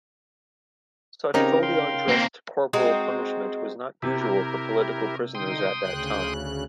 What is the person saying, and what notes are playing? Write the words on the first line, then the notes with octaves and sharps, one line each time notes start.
Such fully undressed corporal punishment was not usual for political prisoners at that time.
C#3 C4 D#4 G4 A#4 A#5
F5 G5 C6
A#3 C4
G#3 C4 D#4 F#4
C3 E4 G4 A#4
D3 D#4 G5 C6 D#6
D2 C#3 F#6